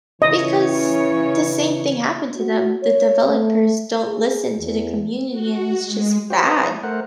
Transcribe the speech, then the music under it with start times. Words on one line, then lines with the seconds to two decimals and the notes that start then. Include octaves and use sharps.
because the same thing happened to them. The developers don't listen to the community, and it's, just, bad.
0.22 C#3 E3 C#5 D#5
2.36 F#4
2.83 C#5
3.29 A3
4.04 G#4
4.59 E2
5.31 F#4
5.78 G#3
6.30 F#4 G4 C5
6.44 B4 C5 A5 A#5 D#6
6.83 A3 A#4 C5 F#5